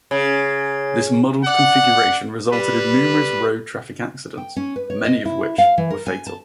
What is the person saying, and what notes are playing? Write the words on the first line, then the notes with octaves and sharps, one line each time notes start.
This muddled configuration resulted in numerous road traffic accidents, many of which were fatal.
C#3
D5 F#5
G3 B4
G5
C#4
B4
C#5
D#5
E4
F5
E3
A#4
G#5
A5